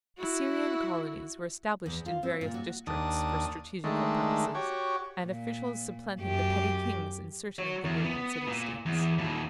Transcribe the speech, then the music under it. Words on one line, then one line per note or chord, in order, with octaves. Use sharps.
Assyrian colonies were established in various districts for strategical purposes, and officials supplanted the petty kings in certain of the northern city States.
E4 F#4
E2
F4
C4
A#2
F#4
D#2 D4 D#6
D#3 G#3 A3 D4
F#4 G4 C#5
A#2
F#2 G4
F#4 C#5
E2
B3
A#2
E2
D#2 A#2